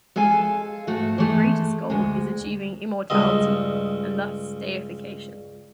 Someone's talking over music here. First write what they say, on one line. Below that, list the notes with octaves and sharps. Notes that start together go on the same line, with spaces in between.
Their greatest goal is achieving immortality and thus deification.
G#3 A4 F5 G#5
G#2 A3 F#4
E3 G#3 A3
D2 G#3
C#2 G2 D#5